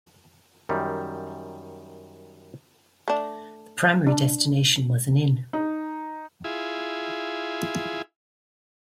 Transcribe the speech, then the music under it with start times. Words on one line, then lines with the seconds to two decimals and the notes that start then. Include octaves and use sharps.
The primary destination was an inn.
0.69 F#2 D#3 G3
3.08 A3 D4
4.07 D4
5.53 D#4
6.44 E4 F4 G#4